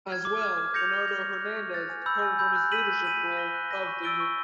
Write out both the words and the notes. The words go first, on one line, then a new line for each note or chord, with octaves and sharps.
As well, Bernardo Hernandez departed from his leadership role of the unit.
F6 G#6
D6
F6 G#6
D6
G6 A#6 C#7 F7
D6
G6 A#6 C#7 F7
C#6
F#6 A6
C#6
F#6 A6
G#5
B5 E6 G6
G#5
B5 E6 G6
F#6
B6 D#7 F#7
F#6
B6 D#7 F#7
F#6
A#6 D#7 G7
F#6
A#6 D#7 G7
C#6
E6 A6 D7 G7
C#6